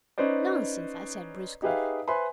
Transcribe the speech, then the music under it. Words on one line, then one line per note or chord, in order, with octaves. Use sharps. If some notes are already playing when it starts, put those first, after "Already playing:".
"Nonsense!" I said bruskly.
C#4 D#4 B4 C5 D5
D#4 G4 G#4 B4 E5 F5
B4 C5 E5 G#5 B5 C6